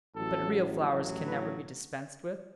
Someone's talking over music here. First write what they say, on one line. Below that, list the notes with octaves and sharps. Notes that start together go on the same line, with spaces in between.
But real flowers can never be dispensed with.
A1 A2 F#3 A4
A1 A2 F#3
B4